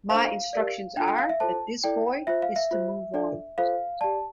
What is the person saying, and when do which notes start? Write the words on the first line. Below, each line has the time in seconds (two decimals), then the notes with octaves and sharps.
My instructions are that this boy is to move on.
0.10 D4 A4 C5 F5
0.53 G4 A#4 D5
0.97 D4 G5
1.00 F4 A4
1.08 G5
1.18 F5
1.29 E5
1.40 F4 A4 C5 A5
1.84 E4 A4 D5 G5
2.27 F4 C5 E5
2.42 F5
2.56 E5
2.71 F4 C5
3.14 D4 A4 D5
3.58 F4 A4 C5 F5
4.01 G4 D5 A5